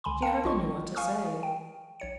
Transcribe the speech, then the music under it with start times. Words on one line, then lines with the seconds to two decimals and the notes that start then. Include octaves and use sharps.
She hardly knew what to say.
0.04 C#2 D3 G#5 B5 C6
0.22 A#4 F5 G5 A5 C#7
0.44 A#1 F4 D#5 C#6
0.95 F5 G#5 C#6 D#6 F6
1.43 G5
2.00 A#1 C#5 C#7